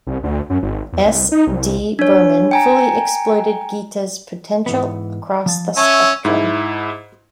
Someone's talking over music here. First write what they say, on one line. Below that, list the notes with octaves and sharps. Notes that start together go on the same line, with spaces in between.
S D Burman fully exploited Geeta's potential across the spectrum.
C2
D2
F#2
G#1
E2
C2
D#4
C2
D4 C#5
G5 G#5 A#5
G#2 E3 B3
F3 A5
C#4 E5 A5
G#2 E4